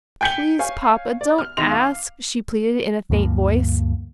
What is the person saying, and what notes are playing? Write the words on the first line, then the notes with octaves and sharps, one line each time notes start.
"Please, papa, don't ask," she pleaded in a faint voice.
G5 G#5 G6 B6 C#7 G7
C#5 F5 G#5
D5
F6
E2 D#3 D#4 D#5 C6 F7
F5 D6
D2 G2 F3 A#3